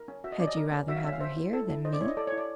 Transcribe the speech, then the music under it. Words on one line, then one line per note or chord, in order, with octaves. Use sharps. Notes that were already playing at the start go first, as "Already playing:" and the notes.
"Had you rather have her here than me?"
Already playing: A#4
C#4
F#4 E5
D#5
C#4 D5
D#5
A#4
C#4
F#4 E5
F5
C#4 E5
F5
C5 E5
E4
A4
E4
C5 D#5
D5
E4 C#5
D#5
A4 D5
C#5
E4
D5